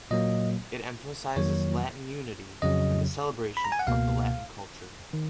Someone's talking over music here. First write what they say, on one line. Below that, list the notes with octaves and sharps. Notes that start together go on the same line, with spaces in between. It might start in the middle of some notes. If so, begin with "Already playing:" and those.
It emphasizes Latin unity and the celebration of the Latin culture.
A#2 F#3 A#3 D#5
F2 D#3 F#3 A#3 C#5
F2 C#3 F#3 D#5
B5
A#5
G#5
F#5
C#2 B2 A#3 F5
D#3